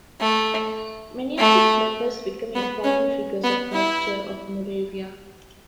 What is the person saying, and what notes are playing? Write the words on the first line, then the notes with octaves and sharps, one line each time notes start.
Many of its members become important figures of culture of Moravia.
A3
A3
B3
C#4
B3
E4